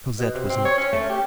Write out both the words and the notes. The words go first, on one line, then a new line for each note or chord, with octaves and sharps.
Cosette was not ill.
B2
C3
C4
C#5
C#4
A3
G4